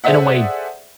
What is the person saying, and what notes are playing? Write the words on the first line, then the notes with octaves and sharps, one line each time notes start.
in a way,
G#4 A4 C5 D5 E5 F#5